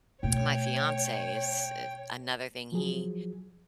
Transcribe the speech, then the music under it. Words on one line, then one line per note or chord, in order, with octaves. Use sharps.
my fiancé is i another thing. He
B2 A3 C#5 G5
F3 F#3 G#4